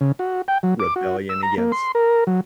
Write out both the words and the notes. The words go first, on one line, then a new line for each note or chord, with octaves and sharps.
rebellion against
C#3
F#4
G5
F#3
D6
F#4
E6
A#5
A#3
C6
A#4
F#3